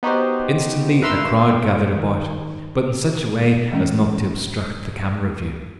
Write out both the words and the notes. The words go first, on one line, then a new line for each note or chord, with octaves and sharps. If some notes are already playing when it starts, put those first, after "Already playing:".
Instantly a crowd gathered about, but in such a way as not to obstruct the camera view.
B3 D#4 F#4 G4 C5
A#4 B4 E5 F5 C6 E6
D#3
E3 G3 G#3 C#4